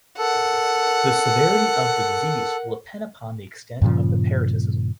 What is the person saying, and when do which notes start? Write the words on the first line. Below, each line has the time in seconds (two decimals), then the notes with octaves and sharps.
The severity of the disease will depend upon the extent of the parasitism.
0.18 A4 A#4 F#5
3.82 G2 A#2 C#3 F3